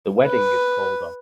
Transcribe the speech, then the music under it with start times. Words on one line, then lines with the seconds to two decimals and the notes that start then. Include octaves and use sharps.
The wedding is called off.
0.25 B4